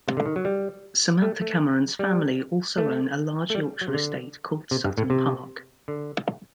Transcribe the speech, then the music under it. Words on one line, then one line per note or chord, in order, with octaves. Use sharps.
Samantha Cameron's family also own a large Yorkshire estate called Sutton Park.
C3
D3
D#3
F#3
G3
A3
A3
G3
A3
A3
G3
F#3
C3
D3
C3
G2
A2
C3
D3